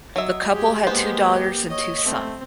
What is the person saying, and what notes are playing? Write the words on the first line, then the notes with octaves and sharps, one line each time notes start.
The couple had two daughters and two son.
F#3 D#5 E5
G#3 G4 G#4
A#3 B3 G4 C5
C#5 D#5
A3 C4